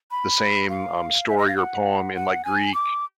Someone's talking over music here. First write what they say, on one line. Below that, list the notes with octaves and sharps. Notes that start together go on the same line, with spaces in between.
the same, um, story or poem in, like, Greek,
B5
F5
E5
D#5
F5
F#5
F#5
G#5
D6